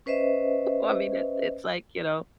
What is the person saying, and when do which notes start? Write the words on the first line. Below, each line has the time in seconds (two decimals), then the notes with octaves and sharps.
I mean, it it's like, you know
0.06 C#4 B4 C5 D#5 E5